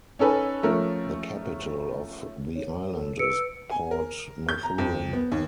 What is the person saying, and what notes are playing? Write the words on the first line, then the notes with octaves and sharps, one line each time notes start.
The capital of the island is Port Mathurin.
C#4 D#4 A4 B4 G#5
F3 A3 C#4 A#4
C#5
A4
B4 E6 C#7 D7
G#5
A#4
G6
A#5
F2
B3
D#2